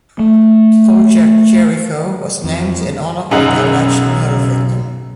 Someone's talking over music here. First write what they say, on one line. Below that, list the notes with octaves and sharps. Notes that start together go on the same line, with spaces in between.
Project Jericho was named in honour of the alleged murder victim.
A3
F2
B1 F#2 C#3 D#4 F#5